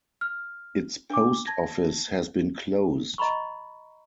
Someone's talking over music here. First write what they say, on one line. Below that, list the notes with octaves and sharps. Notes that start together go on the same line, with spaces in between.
Its post office has been closed.
F6
D4 D6
A5 G#6 A#6
D#5 A#5 B5 C#6